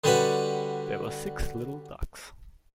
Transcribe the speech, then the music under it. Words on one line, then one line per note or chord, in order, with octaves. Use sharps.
There were six little ducks.
D3 G3 C#4 F#4 B4